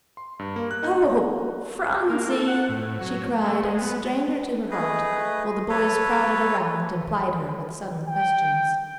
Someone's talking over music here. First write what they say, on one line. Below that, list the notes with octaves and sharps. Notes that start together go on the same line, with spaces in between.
"Oh, Phronsie!" she cried, and strained her to her heart; while the boys crowded around, and plied her with sudden questions.
C6
G2
A#3
F#6
D#4
A#3
A4
F#5
A2
F#3
A3
G#3
B3
A3 G#4 B4 D#5
A4 B4 C#5
G5